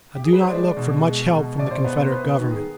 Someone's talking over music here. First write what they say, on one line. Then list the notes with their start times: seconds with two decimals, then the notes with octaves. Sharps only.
I do not look for much help from the Confederate Government.
0.15 G4
0.24 G#4
0.33 B4
0.41 C5
0.50 G#3 D5
0.77 B2
1.04 G#3
1.30 B2
1.57 B2 D5
1.71 C5
1.84 B3
2.02 C5
2.11 B3 B4
2.38 D#3
2.51 G#4